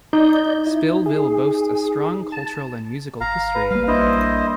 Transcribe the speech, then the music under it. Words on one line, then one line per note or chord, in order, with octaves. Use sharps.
Spillville boasts a strong cultural and musical history.
D#4 D5 D#5 G6
E4
G#4
A5
G#1 F5 A#5
B4
G#1 G3 A#3 F5
A#1 D4 E4 C5 D#5